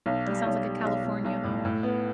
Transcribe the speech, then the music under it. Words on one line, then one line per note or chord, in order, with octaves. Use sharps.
It sounds like a California home.
B1
G3
B1
G3
B1
B1
B1
A2
A2
B3